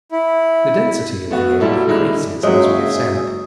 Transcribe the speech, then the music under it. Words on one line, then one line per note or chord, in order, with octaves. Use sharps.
The density of the air decreases as we ascend.
E4
A3 B3 F#4
A#2 F#3 G3 A3 E4 A4
D3 G3 G#3 D#4 E4
F#1 F#3 G#3 G#4 C#5 E5